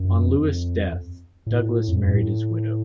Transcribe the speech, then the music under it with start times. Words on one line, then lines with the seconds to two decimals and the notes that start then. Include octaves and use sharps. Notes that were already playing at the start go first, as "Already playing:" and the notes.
On Lewis' death, Douglass married his widow.
Already playing: F#2
0.24 F2
1.46 A2
1.88 F2
1.99 F#2
2.09 A2